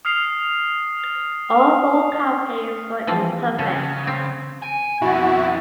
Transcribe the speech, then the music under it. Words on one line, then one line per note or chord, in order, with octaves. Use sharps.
All four copies were imperfect.
D#6 F6 C7 F7
E3 F3 C4
C#3 C#4 A4
C4
G#5 D7
F2 B2 E4 F#4